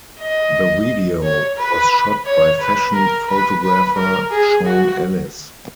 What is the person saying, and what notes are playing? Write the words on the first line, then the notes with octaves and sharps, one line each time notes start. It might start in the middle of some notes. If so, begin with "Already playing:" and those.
The video was shot by fashion photographer Sean Ellis.
D#5
C#5
B4
C#5
B4
A#4
B4
B4
A#4
G#4
F#4